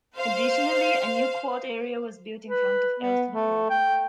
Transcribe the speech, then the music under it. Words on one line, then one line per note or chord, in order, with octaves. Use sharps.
Additionally, a new quad area was built in front of Elston Hall.
C5 F5
B4
B3
A3
G5